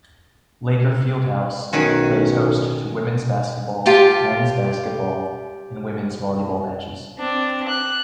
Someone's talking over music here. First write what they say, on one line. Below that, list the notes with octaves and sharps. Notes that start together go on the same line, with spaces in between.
Laker Fieldhouse plays host to Women's Basketball, Men's Basketball, and Women's Volleyball matches.
B1 D#3 C#4 F#4
F4 G4 A5
C4 D4
F#6